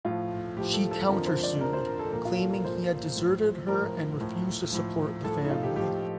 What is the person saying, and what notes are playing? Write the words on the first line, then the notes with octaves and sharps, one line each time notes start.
She countersued, claiming he had deserted her and refused to support the family.
A2 F3 F4
A2 F3 G4
A4
A4
F2 D3 F3 A#4
C5
D5
F2 D3 F3 A#4
C5
A#4
A4
A#2 F3 A#4
F4
A4
A#4
A#2 F3 C5
A2 F3
A2 F3 A#4
A2 F3
A2 F3
A2 F3 A4
D#4
F4
G4
A2 F3 G4